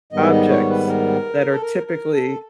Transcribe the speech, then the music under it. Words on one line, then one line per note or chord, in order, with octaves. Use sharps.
objects that are typically
G#2 D#3 G3 B3 D#5
D#5
C#5
B4
A#4
A4
A#4
A#4
A4